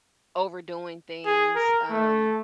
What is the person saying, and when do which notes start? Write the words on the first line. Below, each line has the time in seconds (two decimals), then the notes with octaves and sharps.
overdoing things, um,
1.25 G#4
1.55 A#4
1.90 A3